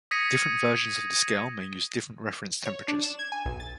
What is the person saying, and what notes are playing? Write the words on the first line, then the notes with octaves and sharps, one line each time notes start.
Different versions of the scale may use different reference temperatures.
D#6 G#6 A#6 B6 C#7 D#7
C#5
D4
E7
G#6
G#5
B1
A6